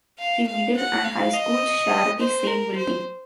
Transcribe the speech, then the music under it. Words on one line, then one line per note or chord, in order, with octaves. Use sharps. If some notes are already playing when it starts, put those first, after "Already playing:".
The middle and high schools share the same building.
F5
F5
F#5
F5
D#5
C5
A#4
C5